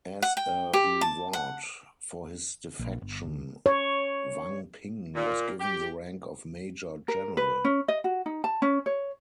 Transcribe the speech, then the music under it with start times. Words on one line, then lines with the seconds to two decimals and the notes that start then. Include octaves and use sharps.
As a reward for his defection, Wang Ping was given the rank of Major-General.
0.22 F#5
0.37 G5
0.73 G4
1.01 A5
1.33 F#5
2.79 A#1
3.02 G1
3.26 D2
3.66 C#5
5.15 A#2
5.60 G4
7.08 A#4
7.37 B4
7.65 C#4
7.88 D#5
8.04 F#4
8.26 D#4
8.44 A5
8.62 C#4
8.86 C#5